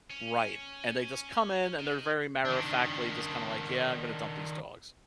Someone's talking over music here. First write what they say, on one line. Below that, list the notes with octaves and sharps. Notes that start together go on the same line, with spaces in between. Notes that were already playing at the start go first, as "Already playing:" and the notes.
Right, and they just come in and they're very matter of factly just kinda, like, "Yeah, I'm gonna dump these dogs."
C#4
D#3
D#3 D4